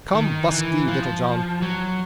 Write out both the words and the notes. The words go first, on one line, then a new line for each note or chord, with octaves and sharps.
Come, busk thee, Little John!
D#3
E3
F3
F#3